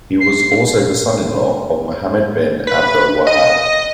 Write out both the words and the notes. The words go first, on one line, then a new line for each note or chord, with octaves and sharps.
He was also the son-in-law of Muhammad bin Abdul Wahhab.
C7
B4
D#5